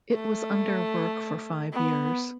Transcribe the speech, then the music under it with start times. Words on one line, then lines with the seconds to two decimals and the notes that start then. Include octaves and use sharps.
It was under work for five years.
0.13 A3
1.73 B3